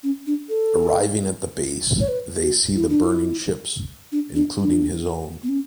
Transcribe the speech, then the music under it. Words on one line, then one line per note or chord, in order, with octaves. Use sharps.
Arriving at the base, they see the burning ships, including his own.
C#4
D4
A4
C#5
B4
F#4
E4
D4
E4
D4
D4
D4
B3
C#4